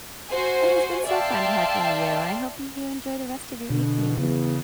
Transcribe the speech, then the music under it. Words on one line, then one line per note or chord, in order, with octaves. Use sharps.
It has been so fun talking to you, I hope you enjoy the rest of your evening.
F#4 C5 G#5
D5 E5 F5 G5 A5 C6
B2 D3
E2 C#3